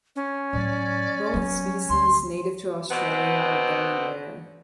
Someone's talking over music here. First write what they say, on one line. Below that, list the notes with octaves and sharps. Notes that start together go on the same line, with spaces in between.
Both species, native to Australia, are very rare.
C#4
A2 F#3 D5
F#3 B3
D2 C6
B2 B3 C4